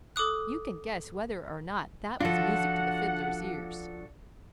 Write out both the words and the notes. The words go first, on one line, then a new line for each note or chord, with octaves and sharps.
You can guess whether or not that was music to the Fiddler's ears.
A4 D6 D#6 F#6
F3 D4 F4 F#4 A4 F#5